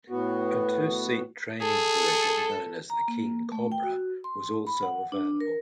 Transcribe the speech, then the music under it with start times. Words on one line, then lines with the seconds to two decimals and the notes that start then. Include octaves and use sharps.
A two-seat training version, known as the King Cobra was also available.
0.10 A2 B3 F#4
1.61 G#4 A4
2.90 A#5
3.08 A#3
3.52 A3
3.72 G5
3.83 F#4
4.24 C6
4.67 B5
4.82 F#5
5.12 D4
5.41 A#4